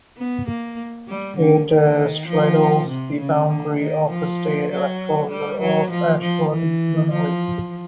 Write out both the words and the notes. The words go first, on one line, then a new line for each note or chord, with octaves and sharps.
It straddles the boundary of the state electorates of Ashford and Unley.
B3
A#3
G3
D3
D#3
F3
C3
C#3
D3
D#3
F3
F#3
G3
F#3
F3
F3
E3
F3